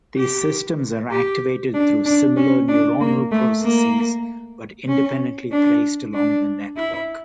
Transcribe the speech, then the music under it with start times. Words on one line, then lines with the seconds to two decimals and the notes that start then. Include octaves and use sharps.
These systems are activated through similar neuronal processes but independently placed along the network.
0.17 G4
1.11 G4
1.74 D4
2.05 D4
2.37 C#4
2.68 D4
3.00 A#3
3.31 A3
3.62 A#3
4.88 C#4
5.51 D4
6.14 D4
6.77 E4